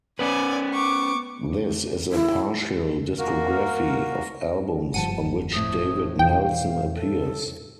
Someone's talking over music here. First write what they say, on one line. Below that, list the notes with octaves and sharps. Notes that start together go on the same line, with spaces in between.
This is a partial discography of albums on which David Nelson appears.
B3 C#4 B4 D5 G#5
C#6 D6
E4
A#3 F#4 A#4
F#1 G2 F3 F#5 G#5 A5 D#7
F2 A2 D#6
E2 B2 F5 G5
A4